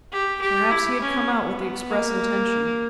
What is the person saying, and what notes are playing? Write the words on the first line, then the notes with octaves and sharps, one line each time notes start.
Perhaps he had come out with the express intention.
G4
G4
E4
C#4
B3
A#3